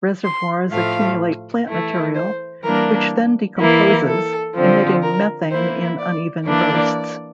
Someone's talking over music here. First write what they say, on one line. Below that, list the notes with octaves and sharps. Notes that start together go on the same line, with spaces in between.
Reservoirs accumulate plant material, which then decomposes, emitting methane in uneven bursts.
C6
A2 F3 A3 F5
E3 A3 E4
C5
E3 G3 A#3 D4 A#4
E3 A#3 E4
A4
D3 F3 C4
A#4
E3 A#3 E4 C5
D5
E3 A#3 D4 D5